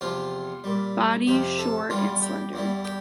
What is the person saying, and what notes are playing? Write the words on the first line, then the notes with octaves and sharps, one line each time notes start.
Body short and slender.
E2 C3 F3 F4
A#2 G3
F2 C3 F3 G4
A4
E2 E3 G3 F4
G4
E2 E3 G3
G4